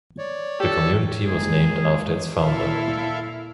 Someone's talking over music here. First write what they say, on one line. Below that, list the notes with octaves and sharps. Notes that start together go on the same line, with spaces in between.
The community was named after its founder.
C#5 D5
G4 A4
F#1 D#3 G#3 G#4
A#2 E4 A4 E5 F5